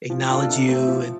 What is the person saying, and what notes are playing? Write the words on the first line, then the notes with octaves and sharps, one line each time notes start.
acknowledge you, and
F3
D4 F4 A4
C3
A3 C4 A4
F3